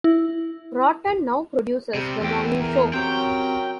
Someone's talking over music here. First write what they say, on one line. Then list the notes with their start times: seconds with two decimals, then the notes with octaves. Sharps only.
Roten now produces the morning show.
0.04 E4
1.95 C3 G3 C4
2.21 E2 A4 G5
2.61 A#4
2.94 F#3 C4 C#4 G4 A#4 C#5 G5